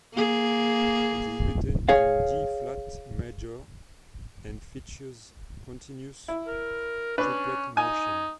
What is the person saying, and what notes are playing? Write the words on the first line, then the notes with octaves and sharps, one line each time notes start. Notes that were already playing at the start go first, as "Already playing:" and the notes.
It is written in D-flat major, and features continuous triplet motion.
A#3 G#4
G#4 C#5 F5
E4
A#4
C#4 D4 B4
D#4 G#5